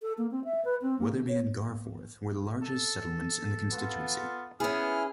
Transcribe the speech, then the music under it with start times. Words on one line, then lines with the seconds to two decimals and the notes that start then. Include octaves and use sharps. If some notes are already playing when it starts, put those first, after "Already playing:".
Wetherby and Garforth were the largest settlements in the constituency.
0.02 A4
0.18 A#3
0.31 C4
0.44 E5
0.65 B4
0.82 C4
0.99 A#3
1.12 D3
1.28 C#5
2.62 A4
3.71 B3 F4
4.60 B3 C#4 E4 G#4 B4 F6